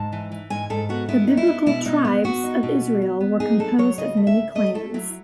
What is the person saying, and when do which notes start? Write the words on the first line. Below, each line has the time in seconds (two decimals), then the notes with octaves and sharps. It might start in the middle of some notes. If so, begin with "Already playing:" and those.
The Biblical 'tribes' of Israel were composed of many clans.
Already playing: G#2 A5
0.12 E3
0.32 E3
0.50 G#2 G#5
0.70 G#2 A4
0.89 B3 F#4
1.09 B3 E4
1.28 D#4
1.37 E4
1.47 B3
1.66 B2 E4
1.86 B3 D#4
2.05 B3
2.24 B3 F#4
2.44 D#4
2.63 B2
2.82 B3
3.02 B3
3.21 B3
3.40 D#4 G#4
3.59 F#3 A4
3.78 F#3 C#5
3.98 C#3 D#5
4.17 A3
4.27 E5
4.36 C#3
4.55 A3 D#5
4.75 A3 A4
4.94 F#3 E4